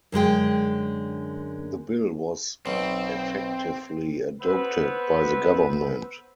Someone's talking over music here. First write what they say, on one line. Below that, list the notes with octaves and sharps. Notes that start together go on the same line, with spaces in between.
The bill was "effectively adopted" by the Government.
F#2 D3 G#3 G5
B1 B2 C4
B3 C4 B4